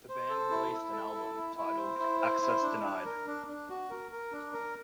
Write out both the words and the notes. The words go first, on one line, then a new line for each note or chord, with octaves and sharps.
The band released an album titled "Access Denied".
C5
A4
E4
E4
A4
E4
E4
E4
C5
E4
C5
E4
D4
D4
A#4
D4
D4
F#4
A#4
A#4
D4
A#4